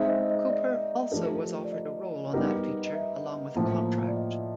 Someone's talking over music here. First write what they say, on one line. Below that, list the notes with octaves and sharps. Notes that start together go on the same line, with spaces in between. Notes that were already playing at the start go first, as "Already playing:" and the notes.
Cooper also was offered a role on that feature along with a contract.
Already playing: G#3 C4 D#4 E5
D#5
D#5
D5
F3 A3 D4 G4 A#4
D5
D#5
G3 B3 D#4 G4 A#4
D#5
E5
A2 F3 A#3
D5
D#5